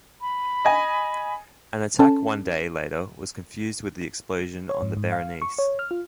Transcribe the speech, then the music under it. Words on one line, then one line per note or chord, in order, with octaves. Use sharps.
An attack one day later was confused with the explosion on the Berenice.
B5
D#5 G#5
C#4 A4 A5
C#5
G#2
G#2
F5
C#6
C#5
F6
F4